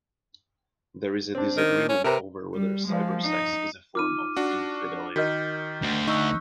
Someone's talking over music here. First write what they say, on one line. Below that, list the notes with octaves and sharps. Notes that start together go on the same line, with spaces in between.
There is disagreement over whether cybersex is a form of infidelity.
C4 D4
D#3
C#4
C3 A#4 B4 A#5
G3
F3 G#3
D#4
D#4 F4 D6 F6 D#7
D4 F#4
D#3 F#4 A#4 D#5 F6 G6 B6
D2
D#4 C#6 E6 F#6